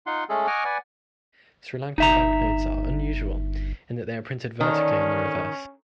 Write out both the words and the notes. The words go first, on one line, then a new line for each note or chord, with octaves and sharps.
Sri Lankan banknotes are unusual in that they are printed vertically on the reverse.
D#4 F4 F#5 C6
G#3 A3 C#4 G#4 A4
D#5 F#5 G#5 C#6 D6 F6
B4 D5 F#5 G#5
G1 D#4 E5 A#5
D3 D#3 A#3 C#4